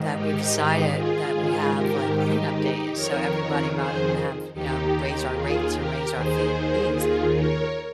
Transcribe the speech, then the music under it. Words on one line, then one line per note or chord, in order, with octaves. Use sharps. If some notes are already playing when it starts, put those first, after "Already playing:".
that we've decided that we have, like, cleanup days. So everybody rather than have you know, raise our rates and raise our fees,
Already playing: G#2 D#3
D#4 G4
F4 G#4
G#2 D#3 F4 G#4
G4 A#4
D#4 G4
D#4 G4
F2 D#3 A#4 C#5
G#4 C5
D#2 D#3 D#4 G4
F4 G#4
G4 A#4
D#2 D#3 G#4 C5
F4 G#4
A#4 C#5